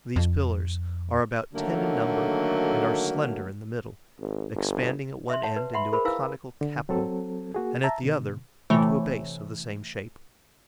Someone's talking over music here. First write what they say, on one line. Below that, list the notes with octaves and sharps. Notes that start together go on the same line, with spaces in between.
These pillars are about ten in number and are slender in the middle, expanding at one end into a conical capital and at the other into a base of the same shape.
F2
D3 D#3 F#3 A3 A#3 F#4
G#1
G1
E5 C6
C#5 F#5 A5
B4
E5 F#5 B5 C6
G#4 A#4 C5 B5
E4 B4 F5 G#5 E6
D3
F#3 C4 A4
A#3 F#4 G#4
E5 A5 A#5
B2 D3
C3 E3 A3 C#5